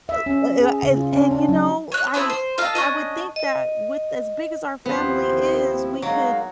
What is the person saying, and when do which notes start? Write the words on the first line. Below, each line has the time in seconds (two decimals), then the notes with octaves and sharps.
L uh, I a and, you know, I I I would think that with as big as our family is, we could
0.09 E5
0.26 C#4
0.60 G#4
0.83 C#3
0.97 F4
1.13 C#4
1.31 D4
1.49 F#3
1.92 C#5 F#6
2.14 B3 C4 E4 A4
2.30 C5
2.58 F4 A4 D#5 F5
2.75 C#4 D4 D#5
3.36 D#5
4.86 D#2 F3 B3 C4 E4 C5
6.02 F#3 G#3 A#3 D#4 F5